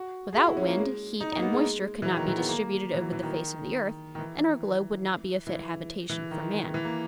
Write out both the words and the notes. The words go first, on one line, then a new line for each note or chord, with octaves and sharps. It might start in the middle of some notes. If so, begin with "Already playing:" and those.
Without wind, heat and moisture could not be distributed over the face of the earth and our globe would not be a fit habitation for man.
Already playing: F#4
G#4
F#4
E4
C#4
A#3
G#3
D#4
D#4
A#3
B3
G#3
E3
F#3
D#3
E3
B3
A#3
E3
F#3
E3
D#3
D#3
E3
E3
E3
D#3
D#3
E3
A#3